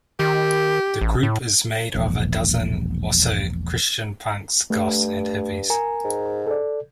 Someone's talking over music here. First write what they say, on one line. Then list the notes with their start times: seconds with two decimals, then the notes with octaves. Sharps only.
The group is made of a dozen or so Christian punks, goths and hippies.
0.19 D#3 G4
1.01 A1
1.23 A2
1.95 E1 A#1
4.70 G2 A3
5.70 A#4 G#5 A#5
6.04 G#2
6.46 A4 D5